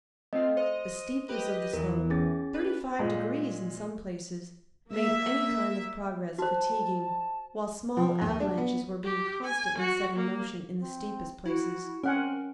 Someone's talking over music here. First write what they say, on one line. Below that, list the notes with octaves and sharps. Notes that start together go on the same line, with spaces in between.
The steepness of the slope--thirty-five degrees in some places--made any kind of progress fatiguing, while small avalanches were being constantly set in motion in the steepest places.
A3 C4 F4 D#5
C5 D#5
G4 B4 D#5
E2 E3 A#4
C#4 G#4 A6
B4
A#2 G#3
A#3 E5
F#4 C5 A5
F3
D#2
D4
B3
G4
G#5
F#4
A#3
C4
E4 F#4
C4 C#4 A#4 F#5 G#5